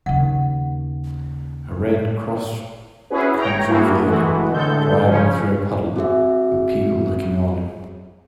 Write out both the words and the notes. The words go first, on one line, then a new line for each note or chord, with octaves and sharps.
A red crosscountry vehicle driving through a puddle with people looking on.
D#2 C#3 F#5
C#4 E4 F#4 G#4 B4
C#5 G5 A#5
A#3 E4 F#4 G#4 A4
E3 G#3 A3 F#4
A2 D3 G#3 A4 G6
C#3 F3 C#4
C4 F#4 G#4 E5